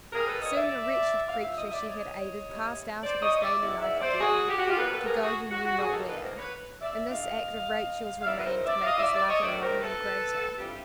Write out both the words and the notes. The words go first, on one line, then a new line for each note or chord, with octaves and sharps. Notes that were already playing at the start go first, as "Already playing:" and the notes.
Soon the wretched creature she had aided passed out of his daily life again to go he knew not where, and this act of Rachel's remained to make his love and longing greater.
A#2 G3 A#3 G#4 A#4
A4 B4
C#5 D#5
D5 E5
D3 F3 A3 F5
E5
D#5
D5 E5
C#5 D#5
A2 E3 G3 B3 D#4
C5 D5
C#5 D#5
D5 E5
G#2 D#3 G#3 B3 E4 D5 E5
D5 E5
C5 D5
F#4 G#4
G4
F#4
F4 G4
B2 G3 A#3 A4 B4
A4 B4
G#4 A#4
F#4 G#4
F#4
F#4
F#4 G#4
D3 F3 A#3 D#4 G4 A4
A4 B4
A#4 C5
B4 C#5
D5 E5
G2 E3 A3 D4 D#5 F5
F5
E2 C#3 F#3 B3 D#4 D5 E5
B4
A#4 C5
D5 E5
D#5 F5
D5 E5
D5 E5
C#5 D#5
D#3 F#3 A3 D4 C5 D5
A#4 C5
A4 B4
G2 E3 G3 C4 F4 G4